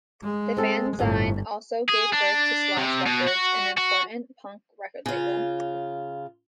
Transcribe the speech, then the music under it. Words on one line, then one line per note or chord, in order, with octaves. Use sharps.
The fanzine also gave birth to Slash Records, an important punk record label.
G#3
C4 A4
G1 F2 A2 A4
G#4
D4
C3
B2
F#4
F#4
C#3 F4